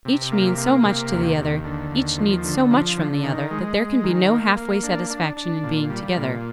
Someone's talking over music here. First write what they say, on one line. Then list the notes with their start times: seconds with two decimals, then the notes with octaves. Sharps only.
Each means so much to the other, each needs so much from the other, that there can be no halfway satisfaction in being together.
0.05 C3
0.32 A#3
0.58 A#3
0.85 C3
1.12 D#2
1.38 D#2
1.64 D3
1.91 D#2
2.18 F3
2.44 D3
2.71 F3
2.97 D3
3.24 D#3
3.51 G#3
3.77 G#3
4.04 D#3
4.30 A#3
4.57 A#3
4.83 D4
5.10 D4
5.37 D4
5.63 A#2
5.89 G3
6.17 A#2